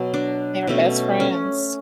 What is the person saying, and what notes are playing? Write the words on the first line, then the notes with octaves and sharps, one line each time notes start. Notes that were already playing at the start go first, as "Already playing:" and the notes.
They were best friends.
Already playing: B2 F#3
D4
B2 A3 C#4
C#4